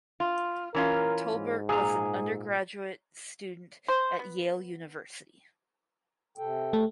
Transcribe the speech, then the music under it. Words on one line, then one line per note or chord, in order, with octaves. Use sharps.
Tolbert was an undergraduate student at Yale University.
F4
E3 C#4 F4 A#4
G#2
A#2 G#4 A#5
C5
B3
C3 A4 G5
A3